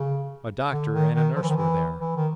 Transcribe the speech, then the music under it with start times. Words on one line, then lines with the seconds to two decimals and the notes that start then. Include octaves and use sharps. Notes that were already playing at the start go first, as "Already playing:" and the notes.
A doctor and a nurse were there.
Already playing: C#3
0.71 D3
0.93 D#3
1.14 D#3
1.36 F3
1.43 E3
1.49 D#3
1.56 E3
2.00 E3
2.16 D#3